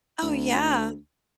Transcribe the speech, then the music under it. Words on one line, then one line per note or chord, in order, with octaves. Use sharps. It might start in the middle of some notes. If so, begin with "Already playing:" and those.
Oh, yeah.
D2